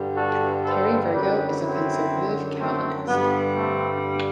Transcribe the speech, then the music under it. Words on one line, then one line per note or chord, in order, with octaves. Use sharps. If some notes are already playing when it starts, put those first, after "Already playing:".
Terry Virgo is a conservative Calvinist.
Already playing: G2 D3 G3
F#4 A4
A4 C5
F#2 D3 F#3 G4 B4
C4 E4
A3 C4
G2 D3 G3 B3
A3 C4